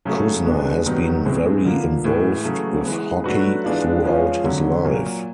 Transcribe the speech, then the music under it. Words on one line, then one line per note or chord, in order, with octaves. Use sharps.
Cuzner has been very involved with hockey throughout his life.
C#3 F#3 A3
B2 G#3 B3 D4
G2 D#3 F#3 B3 D#4
A2 E3 G#3 C4
D3 F3 A#3
A2 E3 G#3
C#3 F#3 A3
E3 G#3 B3
F#3 A3 D4 F#4 B4
E3 G#3 B3 D4 F4
F3 G#3 C#4 F4
F2 D3 F#3
A#2 F#3 A#3